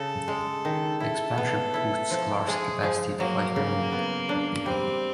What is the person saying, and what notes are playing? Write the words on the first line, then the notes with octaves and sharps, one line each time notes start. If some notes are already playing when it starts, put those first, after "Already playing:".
The expansion boosts Clark's capacity to five million.
Already playing: C#3 A4
G#3
D#3
E4 A4
B3
E4
F3
G#3 G#4
F3
F#3 A#3
C#3
B3
D4
G3 C4